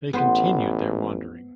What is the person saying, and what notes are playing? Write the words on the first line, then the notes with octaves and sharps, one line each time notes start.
They continue their wandering.
A1 B3 B4 C5